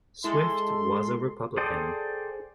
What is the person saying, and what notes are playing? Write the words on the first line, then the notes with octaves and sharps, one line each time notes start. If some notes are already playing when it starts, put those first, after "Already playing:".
Swift was a Republican.
G#3 E4 A4 C6
G#4 A4 C5 D5 G5